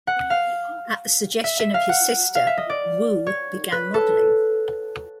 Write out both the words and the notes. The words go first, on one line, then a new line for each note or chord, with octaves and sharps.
At the suggestion of his sister, Wu began modeling.
F#5
F5
E5
E5
F5
F#5
F5
E5
D#5
D5
C#5
B4
A4